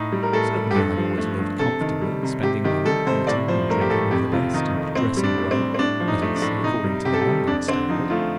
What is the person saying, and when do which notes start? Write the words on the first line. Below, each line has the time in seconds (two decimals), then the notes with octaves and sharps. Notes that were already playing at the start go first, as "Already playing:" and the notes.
Certainly, I had always lived comfortably, spending money, eating and drinking of the best, and dressing well--that is, according to the London standard.
Already playing: A2 D#4
0.12 G3
0.23 A#4
0.33 A2 A4
0.54 G3
0.71 G4
0.75 G2 A4
0.96 F3
1.17 A3
1.39 G2
1.59 C3 A4
1.81 D#3
2.01 G3
2.23 C3
2.43 C3 G4
2.64 D#3 G4
2.85 G3 A4
3.06 C3 C5
3.27 A2 D5
3.48 F3 C5
3.69 A3 A#4
3.81 G4
3.90 A2 A4
4.11 F2 G4
4.32 C3 F4
4.54 D#3 D#4
4.75 F2
4.95 A2 C4
5.17 G3
5.23 D4
5.38 A2
5.51 C4
5.59 G3
5.74 C4
5.79 A2 D4
6.00 F3
6.08 D#4
6.22 A3
6.36 D4
6.42 A2
6.63 C3 D#4
6.84 G3
7.05 C3 G4
7.13 A4
7.21 G4
7.27 G3
7.47 F2 D4
7.68 D3 C4
7.89 F3 D#4
8.10 A3 F4